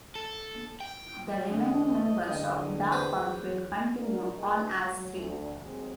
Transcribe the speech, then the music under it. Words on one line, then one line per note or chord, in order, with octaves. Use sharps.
The remaining members of Da Pump will continue on as three.
A4
G5
E2 D3 A3 D#5
D3 D#5 G5
G4 B4 C5
D4 F4 G#4 A#4
A#2 C#3 G4 G#4 B4 D#5
F#3
D2
D#2 F#3 G#3 C4 G#4